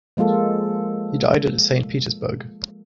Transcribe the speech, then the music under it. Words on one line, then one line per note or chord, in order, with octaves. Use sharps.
He died at Saint Petersburg.
F3 G#3 A#3 F4 A4